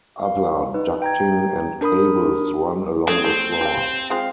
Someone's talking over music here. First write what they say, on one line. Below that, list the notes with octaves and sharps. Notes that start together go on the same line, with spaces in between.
Other ducting and cables run along the floor.
F5
D#4 B4
G5 A#5 G#6
D4 A#4 B5 D#6
A3 C4 C#4 G#4
A3 C5
G4 F5
G#3 C4 F4 F5